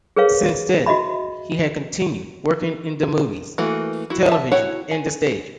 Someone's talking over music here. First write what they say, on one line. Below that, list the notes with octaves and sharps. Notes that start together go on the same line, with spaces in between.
Since then, he has continued working in the movies, television and the stage.
G#4 A#4 B4 C#5 F5
F#4 D#5 E5 B5
E3 A3 A#3 F#4
E4 F#4
E5 A5
E4 F#4 C#5 F#5 G5
G#5